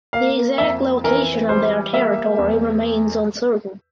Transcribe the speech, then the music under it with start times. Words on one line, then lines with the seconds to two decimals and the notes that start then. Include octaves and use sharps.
The exact location of their territory remains uncertain.
0.13 A#3 F5
0.58 F2 E5
1.04 E3 A#4
1.49 G3 C5
1.93 A#3 E5
2.39 E2